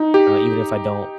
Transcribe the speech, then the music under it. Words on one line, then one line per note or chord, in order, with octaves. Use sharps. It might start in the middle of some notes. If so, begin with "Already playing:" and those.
uh, even if I don't,
Already playing: D#4
G4